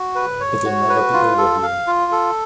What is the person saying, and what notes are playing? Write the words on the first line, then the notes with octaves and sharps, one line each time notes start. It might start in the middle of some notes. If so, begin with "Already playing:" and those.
It'll never be over here.
Already playing: F#4
B4
C#5
F#4
B4
F4
A4
F5
F4
A4